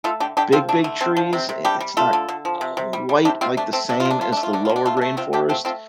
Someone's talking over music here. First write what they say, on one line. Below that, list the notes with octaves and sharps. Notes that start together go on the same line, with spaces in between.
big, big trees, i it's not quite like the same as the lower rainforest,
A3 F4 A4
D3 D4 G4
D3 D4 G4
F3 C4 F4
A3 D4
D3
D3 C4
F3
C3 C4
C3
G3 D4 G4
G3
A3 F4 A4
D3
D3
F3
C3
C3
G3
G3
C3 D4 G4
C3 C4 F4
A3 D4
A3 C4
C3 D4
F4
C3
D4
A3 F4
A3 D4
F4
D3 D4
D3 F4
D4
A3 F4
D4
A3
C3 C4 F4
C3 D4 G4
A3 C4 F4
A3 C4 F4